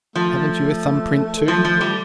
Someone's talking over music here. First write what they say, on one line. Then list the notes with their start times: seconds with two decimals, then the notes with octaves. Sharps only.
"Haven't you a thumb-print, too?"
0.15 F3 A3
1.48 F3
1.65 F3
1.81 G3